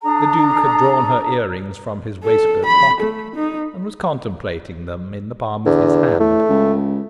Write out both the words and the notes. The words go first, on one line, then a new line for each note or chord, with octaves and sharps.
The Duke had drawn her ear-rings from his waistcoat pocket, and was contemplating them in the palm of his hand.
D4 A4 A#5 D#6
A4
B5
A3
D#4
E2 D3
A2 A3
C#2